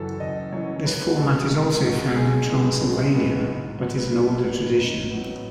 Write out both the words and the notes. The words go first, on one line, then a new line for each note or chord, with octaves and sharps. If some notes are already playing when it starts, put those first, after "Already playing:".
This format is also found in Transylvania but is an older tradition.
Already playing: F#1 F#2 E3 F#4 A4
F#1 D#5
F#2 E3 C#5
C#2 B4
B2 G#3 A4
C#2
B2 G#3
B1 G#4
A2 G#3 B3
B1
A2 G#3 B3
G#2
F#3 B3
G#2 E4
F#3 B3
A1 D#4
A2 F#3 B3